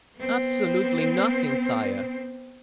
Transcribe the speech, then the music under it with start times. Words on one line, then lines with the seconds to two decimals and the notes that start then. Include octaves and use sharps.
"Absolutely nothing, sire."
0.16 B3 C4